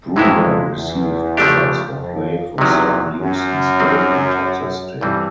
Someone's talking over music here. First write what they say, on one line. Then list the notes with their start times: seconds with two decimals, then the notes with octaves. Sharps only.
Brewer received offers for play for Sam Houston State and Texas State.
0.16 F2 C3 E3 G#3 B3 E4
0.77 E2
1.37 C#3 F3 A3 D4 G4
1.98 F2
2.58 E2 C3 D#3 F#3
3.19 F#2
3.80 D#3 G3 C4
5.01 G2 E3 G3 C4